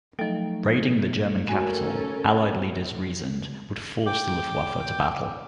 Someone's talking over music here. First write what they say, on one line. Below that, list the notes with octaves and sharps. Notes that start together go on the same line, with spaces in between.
Raiding the German capital, Allied leaders reasoned, would force the Luftwaffe to battle.
F3 F#3 A3 D#4 G5
C#4 F#4 A4 A#4 G#5
G5 D6